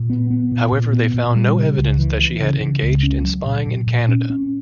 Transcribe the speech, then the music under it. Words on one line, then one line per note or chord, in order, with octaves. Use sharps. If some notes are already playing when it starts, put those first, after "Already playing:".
However, they found no evidence that she had engaged in spying in Canada.
Already playing: A#2
B3
B3
A#2
A#2
B3
A#2
G3
C#3
C#2
E3
E3
C#3
C#3
C#2
C#4
F#3
A#2
A#2
A#2
C#4
C#4